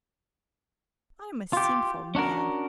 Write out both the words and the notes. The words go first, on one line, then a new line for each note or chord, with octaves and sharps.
I am a sinful man.
F4 G4
C#4 D4 F#4 A#4